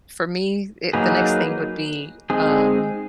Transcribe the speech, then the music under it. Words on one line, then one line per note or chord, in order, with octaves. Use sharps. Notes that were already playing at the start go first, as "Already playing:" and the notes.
for me e the next thing would be, um
F#3 A#3 D#4 G#4 B4
G#3 C4 D#4 G#4